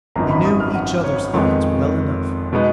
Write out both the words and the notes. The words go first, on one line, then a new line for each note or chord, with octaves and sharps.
We knew each others thoughts well enough.
G#1 F#2 F3 B3 D#4 A#5
B5
D#6
F6
F#5
C#5
F2 D#3 G#3 B3
B2 G#3 B3 D#4